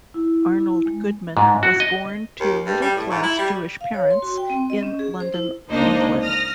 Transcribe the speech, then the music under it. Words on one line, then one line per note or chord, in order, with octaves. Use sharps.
Arnold Goodman was born to middle class Jewish parents in London, England.
E4
E4
G#3
G#2
F#4
D#5
D#2
G2
G3
A2
G#2
E4
G3
F5
C#5
C6
F#4
G5
C4
D#5
C#4
G#4
C5
E4
C#2 A#3 D4 D#4 C5 D#5
D#6 F6 A#6